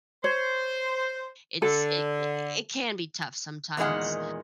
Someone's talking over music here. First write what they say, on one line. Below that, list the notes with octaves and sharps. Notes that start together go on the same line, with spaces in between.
it's it i it can be tough sometimes
C5 C#5
D3 A4
E2 A#2 D#3 G#3 D#5 F#5